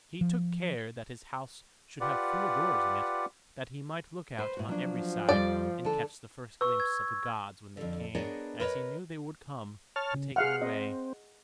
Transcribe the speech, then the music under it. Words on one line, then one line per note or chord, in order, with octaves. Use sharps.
He took care that his house should have four doors in it, that he might look out on every side and catch the first glimpse of the gods when they came, as he knew they would come, to take him away.
F3
F4 G4 B4 D5 F#5
B4 C5
A2 F#4
F3 F#3 D4
F2 G3 D5
D3 A4
B4 C#6 E6
G#6
F2 D3
B3 D4 G#4 A#4 C#5 D#5
A#4 B4 C#5 D#5
C#5 A5 F6
C#3
G#4 F5 F#5 F6
C4 D#5